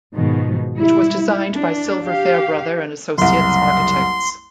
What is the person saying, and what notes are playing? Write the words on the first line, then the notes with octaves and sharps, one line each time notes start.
It was designed by Silver Fairbrother and Associates architects.
G#2 B2 D#3 F3
G3 E4
D4
G4 F5
F#1 C2 C6